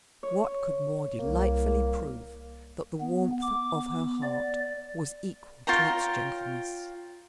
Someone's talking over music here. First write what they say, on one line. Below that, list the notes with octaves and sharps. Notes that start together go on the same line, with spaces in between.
What could more delightfully prove that the warmth of her heart was equal to its gentleness?
C#5
C2 A#3
B3
D6
B3
D5
F4 C#5 G5 A#5